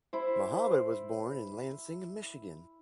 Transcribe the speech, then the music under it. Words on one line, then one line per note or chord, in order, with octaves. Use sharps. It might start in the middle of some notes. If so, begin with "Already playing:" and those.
Muhammad was born in Lansing, Michigan.
E4 C5